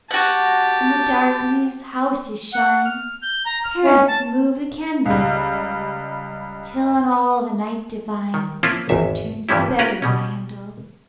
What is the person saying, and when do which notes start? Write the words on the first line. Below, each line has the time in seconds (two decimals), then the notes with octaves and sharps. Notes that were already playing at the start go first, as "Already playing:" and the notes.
In the darkness houses shine, Parents move the candles; Till on all the night divine Turns the bedroom handles.
0.11 F#4 G4 F#5 A5
2.52 F#5
2.85 F6
3.22 G6
3.46 A#5
3.65 F6
3.84 C#4
4.08 A5
5.06 C#2 G3
8.34 D#3
8.63 F3 A#3 C4 C#4 E4 F4
8.89 G#1 E2 E5
9.49 G2 E3 F3 G3 C#4 E4
9.79 C#4 F4 G4 A#4 B4
10.02 B2 G3 C#4